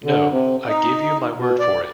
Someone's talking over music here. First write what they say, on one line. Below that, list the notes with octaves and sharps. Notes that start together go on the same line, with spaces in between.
No; I give you my word for it.
D3
C3
D#4
B2
D5